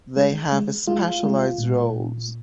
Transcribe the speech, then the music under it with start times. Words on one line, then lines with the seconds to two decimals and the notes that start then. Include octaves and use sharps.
They have specialized roles.
0.17 G#3
0.52 G#3
0.87 G#3 F4
1.23 G#3
1.58 A#2